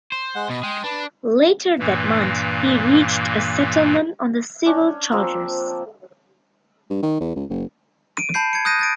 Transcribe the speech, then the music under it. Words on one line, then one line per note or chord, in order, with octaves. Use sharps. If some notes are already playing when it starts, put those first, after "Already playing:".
Later that month he reached a settlement on the civil charges.
C5
G#3 F#5
B2 D#5
G#3 G5 C6
D4 B4
G2 A#2 E3 A#3
C#4 D4
F3 A#3 C4
G2
D#3
E2
C#2
F#1
D7 D#7
A5 B5 G6 C7
G#6 C#7
D#6 F#6 G6 A#6 D#7
G6 A6 D7